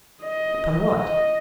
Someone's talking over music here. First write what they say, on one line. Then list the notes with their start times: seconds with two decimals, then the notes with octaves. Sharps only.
"Upon what?"
0.23 D#5
0.97 D#5